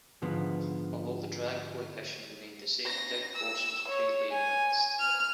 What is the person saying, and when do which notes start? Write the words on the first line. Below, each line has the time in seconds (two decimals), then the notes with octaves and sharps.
Although the drag coefficient remained the same, downforce was greatly enhanced.
0.22 G#2 D3 F3 B3
2.86 A#6
3.35 E6
3.88 C#5
4.32 G#5
5.00 F6